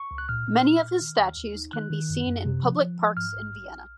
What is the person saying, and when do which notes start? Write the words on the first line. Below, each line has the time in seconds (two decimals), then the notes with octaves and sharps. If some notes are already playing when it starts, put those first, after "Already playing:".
Many of his statues can be seen in public parks in Vienna.
Already playing: C#6
0.11 C#2
0.18 F#6
0.29 A#2 F6
0.47 A#2
0.65 A#2
0.82 A#2
1.01 D#3
1.19 D#2
1.37 D#2
1.55 D#4
1.73 D#3 F#6
1.90 D#3
2.09 F#2
2.27 F#2
2.45 C3
2.63 F3
2.81 F3
2.99 F3
3.17 G#2 F6
3.34 A#1
3.53 A#1
3.71 A#1